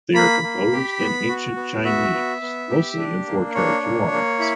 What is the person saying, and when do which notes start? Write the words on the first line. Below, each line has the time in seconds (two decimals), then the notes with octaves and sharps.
They are composed in ancient Chinese, mostly in four-character lines.
0.14 A#3 B5
0.43 A#3
0.72 G4
0.99 B3
1.28 F#4
1.56 B3
1.85 F#4 E5
2.13 B3
2.42 B3
2.70 G4
2.98 D4
3.27 A#3
3.55 D4 C#5
3.83 A#3
4.11 A#3
4.39 E4